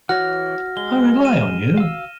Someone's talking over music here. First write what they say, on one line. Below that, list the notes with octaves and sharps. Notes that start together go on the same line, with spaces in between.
I rely on you.
E3 F#4 C#5 F#5 F6 A#6
G#3 G7
D#7 E7
F5 E6